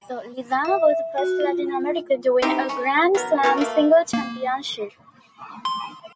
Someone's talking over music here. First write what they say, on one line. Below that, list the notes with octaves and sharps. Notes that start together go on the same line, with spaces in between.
Also, Lizana was the first Latin American to win a Grand Slam singles championship.
E5
F#4
F4
C4 D#4 E4 G4
C#4
F#3 B3 A#4
B3 F#4 A4 A#4
A3 A#3
A#3
C6